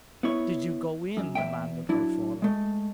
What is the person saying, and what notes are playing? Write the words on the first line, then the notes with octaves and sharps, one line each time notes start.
"Did you go in?" demanded her father.
B3 E4 C#5
F#2
E2 G#3 E5 G5
F#3 D4 E4
G#3 A3